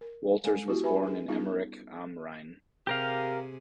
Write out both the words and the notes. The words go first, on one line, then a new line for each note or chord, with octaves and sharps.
Wolters was born in Emmerich am Rhein.
A#4
G#3 A4 G#5
B3 E4 F#4 G4
G4 B4 E5 G#5 B5
D4 G#4
G3 B3 C#4 D#4 F4 G#4
C3 G4 G#4 A#4 F5